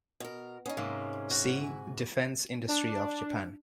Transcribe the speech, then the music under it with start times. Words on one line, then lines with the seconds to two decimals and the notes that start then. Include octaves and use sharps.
See: Defense industry of Japan.
0.20 B2 A#4
0.66 B3 C#4 D#4 G#4
0.77 G#2 C3 A#3
1.31 E4 F#4
1.62 G#5
2.68 D4